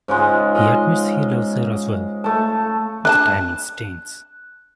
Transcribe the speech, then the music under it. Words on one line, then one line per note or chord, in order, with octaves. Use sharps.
He admits he loves her as well, but the timing stinks.
G#2 C#3 G#3 F4
D#5 F5
A3 A5
D4 D#5 A5 F#6